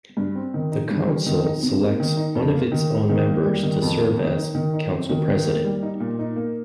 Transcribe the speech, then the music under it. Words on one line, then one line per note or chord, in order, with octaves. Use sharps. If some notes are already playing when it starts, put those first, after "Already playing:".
The Council selects one of its own members to serve as Council President.
G2
C4
D#3
D#4
G2
G3
D#3
D#4
C3
A#3
D#3
D#4
F2
A#3
D#3
D#4
D#3
A#3
G3
D#3
F2
A#3
D#3
D#4
D#3
D#4
C4
D#3
D#3
A#3
G3
D#4
A#2
D#4
A#3